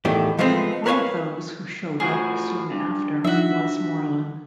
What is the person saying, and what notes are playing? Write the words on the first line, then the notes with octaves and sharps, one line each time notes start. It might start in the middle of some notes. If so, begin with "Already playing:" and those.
One of those, who showed up soon after, was Morlun.
E2 A2 D#3 G4
F3 G#3 A3 B3 C4
A#4 B4 C#5 E5 F5 G#5
A2 F3 F#4 G#4
G2
F3 D#4 F#4 E5